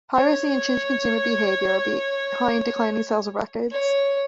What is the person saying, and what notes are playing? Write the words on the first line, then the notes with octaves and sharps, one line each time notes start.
Piracy and changing consumer behavior are behind declining sales of records.
C#5
C#5